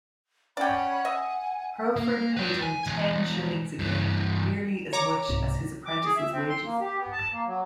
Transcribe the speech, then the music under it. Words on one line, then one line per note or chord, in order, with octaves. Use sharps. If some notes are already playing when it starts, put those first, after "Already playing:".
Hurlford paid him ten shillings a game, nearly as much as his apprentice's wages.
C#4 D5 F#5 G5 B5
D#5 E5 G#5
A#3
B4 G5
G#5
E3 G#3
G2 E3
C#5 A#5 D6
C2 G#2 C3
D6
G#4
E5
C4
C6
A#3
G4
B3
A5
A#3
F#3